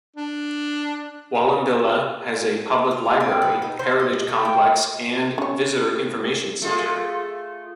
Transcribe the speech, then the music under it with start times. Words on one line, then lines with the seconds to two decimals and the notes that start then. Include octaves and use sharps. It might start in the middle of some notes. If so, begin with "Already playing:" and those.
Wallambilla has a public library, heritage complex and visitor information centre.
0.16 D4
2.91 F4
3.20 C4
3.42 B3
3.62 D#4
3.79 C5
4.00 D#5
4.28 A3
4.45 G5
5.38 C#4 C#5
6.62 A3 F4 G#4